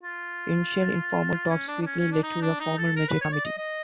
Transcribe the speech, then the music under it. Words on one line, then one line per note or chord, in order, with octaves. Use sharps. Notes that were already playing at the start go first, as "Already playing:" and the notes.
Initial informal talks quickly led to a formal merger committee.
F4
C#4
D4
D4
C#4
C#4
D4
D#4
D4
D#4
A4
A#4
B4
C#5
D5
D#5
D#5